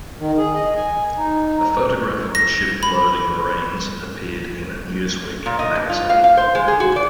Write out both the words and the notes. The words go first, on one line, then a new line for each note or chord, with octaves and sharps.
A photograph of the ship loading Marines appeared in "Newsweek" magazine.
D#3
G#4
D#5
G#5
D#4
A#6
B5
A#2
D#5
G2
F4
F5
F5
C5
G#3
G#4
F#4
D5